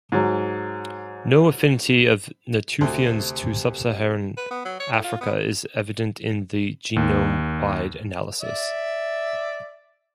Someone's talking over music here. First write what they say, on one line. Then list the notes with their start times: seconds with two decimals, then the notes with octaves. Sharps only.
No affinity of Natufians to sub-Saharan Africans is evident in the genome-wide analysis.
0.12 G#2 F#3
2.81 D2 C3
4.37 B4
4.51 B3
4.65 F#3
4.80 C#5
4.92 A2
5.04 F4
5.21 B3
6.96 D#2
8.40 D5 E5